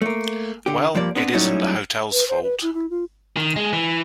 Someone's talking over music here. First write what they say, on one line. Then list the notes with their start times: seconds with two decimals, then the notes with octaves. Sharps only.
Well, it isn't the hotel's fault.
0.02 A3 A#3
0.66 D3 G4
0.95 G2 F3 A#3 D5
1.15 B3 C4 D4 B4
1.33 F#3 G3 A3 C#4 D#4 E4
2.11 B4
2.28 C5
2.43 B4
2.62 E4
2.74 E4
2.90 F4
3.37 D#3
3.56 G#3
3.73 E3